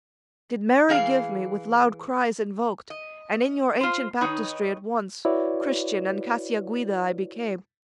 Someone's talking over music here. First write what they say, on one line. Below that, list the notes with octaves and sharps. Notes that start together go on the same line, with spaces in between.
Did Mary give me, with loud cries invoked, And in your ancient Baptistery at once Christian and Cacciaguida I became.
E3 G#4 F5
D#5
F4 C5
D#3 D#4 B4 C#5
E4 F#4 B4 C#5 D5